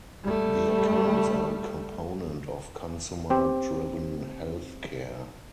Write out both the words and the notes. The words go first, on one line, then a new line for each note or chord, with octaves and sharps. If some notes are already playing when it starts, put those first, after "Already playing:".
The accounts are a component of consumer-driven health care.
G3 A3
C4 G4